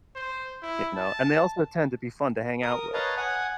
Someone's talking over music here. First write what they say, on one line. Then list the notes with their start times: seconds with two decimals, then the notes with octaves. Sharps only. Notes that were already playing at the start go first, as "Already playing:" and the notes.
You know? And they also tend to be fun to hang out with.
0.15 C5
0.62 E4
0.96 A5
2.63 A#4 D#6
2.93 B4 C#5 D#5 F5 A5 A#5
3.17 F#5 G#5 D#6